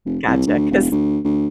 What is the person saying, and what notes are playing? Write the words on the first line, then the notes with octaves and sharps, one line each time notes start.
Gotcha, 'cause
F1
C2
D2
E1
D2
D2